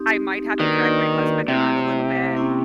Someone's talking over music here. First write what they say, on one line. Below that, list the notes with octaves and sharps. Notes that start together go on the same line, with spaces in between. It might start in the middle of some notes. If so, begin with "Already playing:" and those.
I might have to drag my husband around a little bit
Already playing: C4 D#4 G4
D#3 A#3 D4 F#4 B4 D5
C3 A3 C4 E4
A#3 C#4 E4